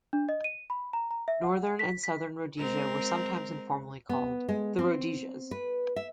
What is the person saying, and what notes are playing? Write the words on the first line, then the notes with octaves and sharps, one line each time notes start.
Northern and Southern Rhodesia were sometimes informally called "the Rhodesias".
D4
D#5
D#7
B5
A#5
A#5
E5
F#5
B6
B6
G#3 C4 A#4
B3
G#3
C4
B4
E5